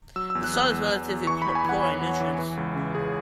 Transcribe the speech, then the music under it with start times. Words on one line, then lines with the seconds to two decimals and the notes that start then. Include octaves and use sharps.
The soil is relatively poor in nutrients.
0.16 F#3 E6
0.30 E6
0.35 E2
0.44 F#6
0.53 E2 E6
0.72 E2
0.91 E2
1.09 E2
1.27 E3 C#6
1.42 E2 B5
1.55 G#5
1.64 E3 F#5
1.83 E2 C#5
2.02 E3
2.20 E3
2.39 E3
2.57 C#2
2.76 C#3
2.94 C#2 G#4